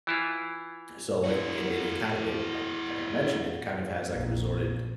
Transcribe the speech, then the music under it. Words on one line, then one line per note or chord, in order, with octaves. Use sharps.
so, like, it it kind it, like like, I mentioned, it kind of has, like, resorted
E3 E4 F4
E4 F#4
A#1